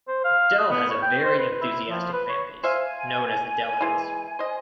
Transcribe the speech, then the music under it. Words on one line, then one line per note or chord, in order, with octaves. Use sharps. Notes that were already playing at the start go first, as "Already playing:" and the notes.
Del has a very enthusiastic fan base, known as the Del-Heads.
C5
F5
D#5
B3
C#5
G5
C5
B4
E4
F3
B4
C#5
C5 E5 F5 G#5
E3 G#3
C5 D#5